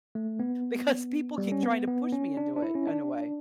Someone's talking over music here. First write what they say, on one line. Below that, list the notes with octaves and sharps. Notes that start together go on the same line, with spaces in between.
because people keep trying to push me into it, in a way,
A3
B3
G3
C#4
B3
B3
C#4
D4
D4
E4
C#4
D4